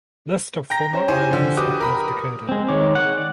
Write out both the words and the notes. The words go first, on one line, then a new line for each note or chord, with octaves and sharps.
List of former islands of North Dakota.
G5 A#5 A#6
C#4 C5
E4 G4 C5 G#5
D3 F3
F#4 G4 B4 D6 D#6
A#4 B5 D#6
G#3 C4
D#3 G#3 C#5 D6
F#5
D5